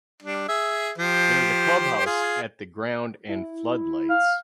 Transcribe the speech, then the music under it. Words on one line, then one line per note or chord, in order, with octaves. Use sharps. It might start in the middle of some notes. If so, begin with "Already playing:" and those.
There is a clubhouse at the ground and floodlights.
G3 D4
G#4 E5
F3 G4 C5
F4 G#4
E4
F5